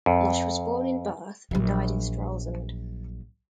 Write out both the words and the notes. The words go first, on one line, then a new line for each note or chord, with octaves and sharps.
Losch was born in Barth and died in Stralsund.
F2
A#1 F#3